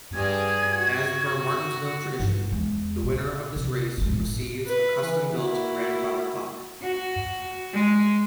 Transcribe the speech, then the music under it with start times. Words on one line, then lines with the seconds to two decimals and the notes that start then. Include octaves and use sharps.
As per Martinsville tradition, the winner of this race receives a custom-built grandfather clock.
0.14 G2 G#4 D5 G#6
0.76 F#4
1.82 F#5
2.20 G2 D#4
2.52 E2 G#3
3.03 A#2
3.56 C3
3.98 A1 G#3
4.12 A2
4.67 B4
5.02 E3
5.35 A#3 E4 F#4
6.83 F#4
7.74 G#3